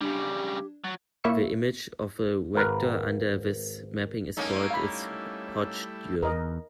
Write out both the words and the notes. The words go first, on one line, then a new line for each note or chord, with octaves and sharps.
The image of a -vector under this mapping is called its "Hodge dual".
C#3 G3 D4 G4
F#3 A6
A#2 A#3 E4 C#5 E6 C#7
G#1 A#4 B4
G3 A3 A#3 C#4 D#4 E4
F5 B5
E2 A#4 D#5